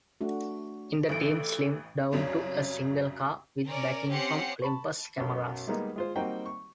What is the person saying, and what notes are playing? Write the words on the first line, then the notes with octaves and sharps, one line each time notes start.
In the team slimmed down to a single car, with backing from Olympus Cameras.
A3 D4 F#4
A1 E3 A4 D7
C2 F#2 C#3 C#5
C#4 A#4 D5
C4 C#4 G4 F#5 C7 C#7
A5 B5 C#6
B1 F#2
G3 G#3 A#3 B3 D#4
G#3 F4 C5
G3 A#3 C4 D#4 F#4 G5
C#6